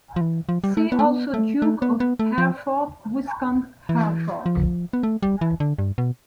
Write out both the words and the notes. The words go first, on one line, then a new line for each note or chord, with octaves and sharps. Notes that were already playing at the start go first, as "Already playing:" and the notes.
See also Duke of Hereford, Viscount Hereford.
F3
E3
F3
G3
A3
B3
A3
B3
A3
A3
B3
B3
A3
F3
E3
F3
B3
A3
G3
E3
D3
G2
B2